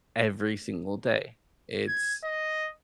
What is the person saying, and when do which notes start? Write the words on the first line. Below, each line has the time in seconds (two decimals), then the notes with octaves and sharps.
every single day. It's
1.88 G#6
2.24 D#5